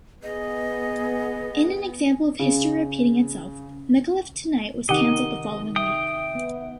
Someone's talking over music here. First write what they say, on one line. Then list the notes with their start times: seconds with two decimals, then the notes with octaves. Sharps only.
In an example of history repeating itself, Micallef Tonight was cancelled the following week.
0.23 B3 G#4 D#5
2.39 C#3
4.89 C3 D#3 D#4 G4 D#5 F#5
5.76 E5 G5 D#6
6.35 B3